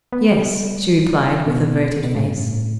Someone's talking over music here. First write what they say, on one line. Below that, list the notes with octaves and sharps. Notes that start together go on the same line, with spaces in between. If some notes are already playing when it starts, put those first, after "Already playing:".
"Yes," she replied with averted face.
B3
G3
B2
B2
A2
G2
A2